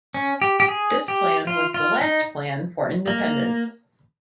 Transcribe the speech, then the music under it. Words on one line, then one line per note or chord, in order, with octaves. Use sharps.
This plan was the last plan for independence.
C#4
G4
G4
G#4
G4
F4
F4
D#4
A#3